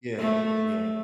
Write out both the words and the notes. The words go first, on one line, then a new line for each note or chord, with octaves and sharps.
Yeah. Yeah.
A3